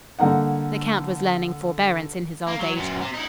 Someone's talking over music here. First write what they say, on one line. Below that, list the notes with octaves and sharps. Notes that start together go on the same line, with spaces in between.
The count was learning forbearance in his old age.
D3 G3 A#3 D#4 F#5
A#3
F#3
F#2 A#2
C3
D#4 E4